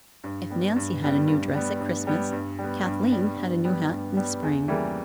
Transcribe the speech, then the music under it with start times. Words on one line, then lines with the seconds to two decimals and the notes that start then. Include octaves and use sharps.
If Nancy had a new dress at Christmas, Kathleen had a new hat in the spring.
0.24 G2
0.50 G3 B3
0.76 G2
1.02 G3 B3
1.28 G2
1.55 G3 B3
1.80 G2
2.07 G3 B3
2.33 G2
2.59 G3 B3
2.86 G2
3.12 G3 B3
3.37 G2
3.64 G3 B3
3.90 G2
4.17 G3 B3
4.43 E2
4.68 C#3 E3 G3 A#3